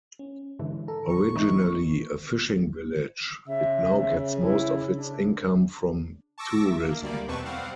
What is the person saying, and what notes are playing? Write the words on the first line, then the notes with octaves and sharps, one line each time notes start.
Originally a fishing village, it now gets most of its income from tourism.
C#4
G#2 D3 E3
A4 A#5
C#6
E3 A#3 C4 D#4 E4
C#3 E5
E4
D4
A5 C#6 D6 E6 A#6
E5
A#3
D2 G3 A#3 D5
E2 B2 C4 B4 A5 C#6
G3 C4 F5 F#5